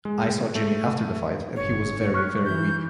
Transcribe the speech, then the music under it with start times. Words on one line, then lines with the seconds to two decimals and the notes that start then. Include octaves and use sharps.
I saw Jimmy after the fight and he was very very weak.
0.05 G#3
0.55 A3
1.56 G1 C#5
2.14 G3 C#6 F6 F#6
2.45 E3 G6